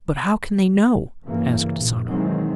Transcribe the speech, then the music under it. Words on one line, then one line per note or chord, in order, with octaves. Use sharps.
"But how can they know?" asked Asano.
G2 C#3 E3 A#3
A#1 A#2
B2 D#3 E3 F#3 G#3 C4